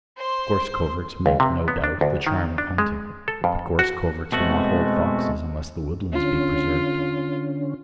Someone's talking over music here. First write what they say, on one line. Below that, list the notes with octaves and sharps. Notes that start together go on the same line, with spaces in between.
Gorse coverts make, no doubt, the charm of hunting, but gorse coverts will not hold foxes unless the woodlands be preserved.
C5 C6
C#2
C3
B3
D4
D2
D#3
D4
G#3
A4
F2
F#4
B2 G#3 A3 C4 F#4
D3 C#4 F4